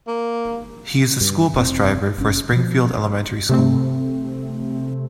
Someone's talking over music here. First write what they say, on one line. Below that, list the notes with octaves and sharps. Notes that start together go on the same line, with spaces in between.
He is the school bus driver for Springfield Elementary School.
A#3
G2
F1 C4
F#1 C#4
B2 F3
C3 A3 C4